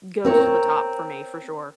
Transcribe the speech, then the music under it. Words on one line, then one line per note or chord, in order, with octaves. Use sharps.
goes to the top for me, for sure.
C4 A#4 C#5